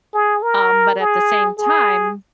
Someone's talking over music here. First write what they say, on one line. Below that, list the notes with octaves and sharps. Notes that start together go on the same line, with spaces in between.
um, but at the same time,
G#4
A#4
G#4
G#4